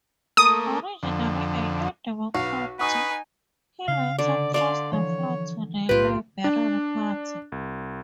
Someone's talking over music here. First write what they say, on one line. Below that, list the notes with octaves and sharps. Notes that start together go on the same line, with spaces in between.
Originally a New Democrat, he later crossed the floor to the Liberal Party.
A3 A#3 D#6
F2 D3
B1 F#4 B4 F5
D#4 B4 F#5 G#5 C#6 D#6
C#3 F5
D3 D5
D3 D5 F5 C6
E3 F3 C#5
B1 A2 B3 F4 G4 B4
D4
C2